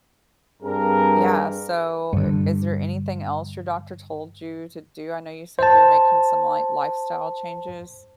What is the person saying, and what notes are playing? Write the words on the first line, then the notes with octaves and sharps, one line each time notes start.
yeah, so, i is there anything else your doctor told you to do? I know you said you're making some, like, lifestyle changes.
G2 C4 G#4 A#4
G2 D3
C5 A5